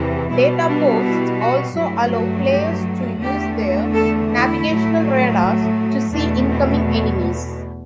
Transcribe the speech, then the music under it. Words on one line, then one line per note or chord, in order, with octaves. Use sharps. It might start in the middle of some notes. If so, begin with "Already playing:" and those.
Data posts also allow players to use their navigational radars to see incoming enemies.
Already playing: E2 C3 E3
B2 G3 E4
D4
E4
F#4
G2 F#3 A3 E4
F#4
G4
E2 D3 A3 G4
A4
E4
A2 F#3 A3
E2 B2 A3 D4
C4
A3
A3